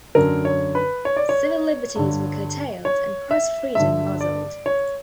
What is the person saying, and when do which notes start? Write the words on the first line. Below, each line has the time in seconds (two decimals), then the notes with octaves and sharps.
Civil liberties were curtailed and press freedom muzzled.
0.15 F#2 D3 A#4
0.45 C#5
0.75 B4
1.05 C#5
1.17 D5
1.29 C#5
1.96 G2 D3
2.85 C#5
3.31 E5
3.75 G2 D3 E5
4.21 D5
4.66 C#5